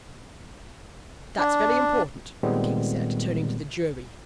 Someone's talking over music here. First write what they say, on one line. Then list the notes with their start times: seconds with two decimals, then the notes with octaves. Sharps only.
'That's very important,' the King said, turning to the jury.
1.38 D4
2.43 A#2 D#3 G3 G#3 B3 C4